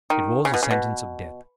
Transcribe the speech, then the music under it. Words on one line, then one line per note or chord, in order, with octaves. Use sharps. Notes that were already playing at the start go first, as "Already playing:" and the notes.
It was a sentence of death.
D#3
C#3
B2
C#3
B2